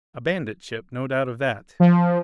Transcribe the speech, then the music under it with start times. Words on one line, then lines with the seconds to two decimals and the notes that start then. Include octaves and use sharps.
A bandit ship, no doubt of that.
1.80 F3